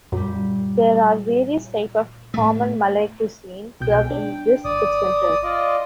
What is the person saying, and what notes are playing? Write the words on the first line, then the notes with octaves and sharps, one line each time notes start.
There are various type of common Malay cuisine served in this food centre.
F#2 A#2 G3
A2 A3
C2 B2 G5 G6
D4
G1 D5 D#6
F4 D5 D#5